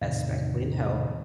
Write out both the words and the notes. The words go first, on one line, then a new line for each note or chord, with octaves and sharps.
especially in health,
E2 A2 C3 D#3